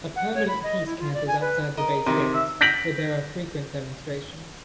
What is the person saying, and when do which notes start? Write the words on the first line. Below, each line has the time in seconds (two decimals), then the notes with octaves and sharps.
A permanent peace camp is outside the base gates, where there are frequent demonstrations.
0.16 F#5
0.34 C#5
0.48 B5
0.63 D#5
0.86 E4
0.99 F4
1.14 D5
1.27 G#5
1.41 B4
1.77 A#4 D#5
2.06 C3 D#3
2.34 E5
2.61 G6 A#6 B6 D7 F#7